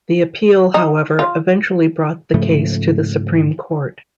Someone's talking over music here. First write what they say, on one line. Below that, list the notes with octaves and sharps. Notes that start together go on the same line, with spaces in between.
The appeal, however, eventually brought the case to the Supreme Court.
D#4
F4
G#2 C#3 F3 A3